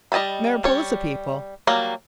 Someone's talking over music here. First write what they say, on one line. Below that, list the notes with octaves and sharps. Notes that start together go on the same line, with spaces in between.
Mariposa people!
G3 D#5 G#5 A5 B5
G3 C#5
F#3 G3 A#3